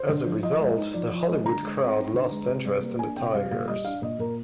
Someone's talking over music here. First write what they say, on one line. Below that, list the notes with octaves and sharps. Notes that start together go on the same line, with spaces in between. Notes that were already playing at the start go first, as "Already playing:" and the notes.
As a result, the Hollywood crowd lost interest in the Tigers.
Already playing: C5
D3
F3
F3 D#5
G#3
D#4
F3 D5
F3
D#5
G#3
D3 A#5
G#3
C4
D#4
D3
G#3
C3
G3
A#3
D4 G#5
C3 G5
G3 F5
A#2 F5
G3 D#5
D4 F5
A#2 D#5
A#2 A#4